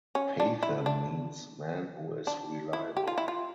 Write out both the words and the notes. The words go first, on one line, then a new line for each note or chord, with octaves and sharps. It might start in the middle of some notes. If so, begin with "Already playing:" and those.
Pathan means man who is reliable.
C#4
D4
E4
D4
D4
E4
G4
F4
E4
F4